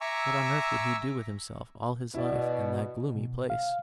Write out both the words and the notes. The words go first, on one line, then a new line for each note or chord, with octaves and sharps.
What on earth would he do with himself all his life in that gloomy place!
E5 G#5 A#5 C#6 D6 E6
B2 E4 D5
B2
F5